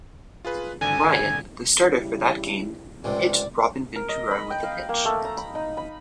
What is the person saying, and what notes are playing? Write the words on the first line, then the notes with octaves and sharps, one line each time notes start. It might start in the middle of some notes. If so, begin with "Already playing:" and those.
Ryan, the starter for that game, hit Robin Ventura with a pitch.
F4 G#4 B4
G#1 D3 G#5
C#3 G3 E4
C#2 C3 D5
A#4
D#5
B5
G5
F5
A#3
A3
A#5
B5
D#4
B5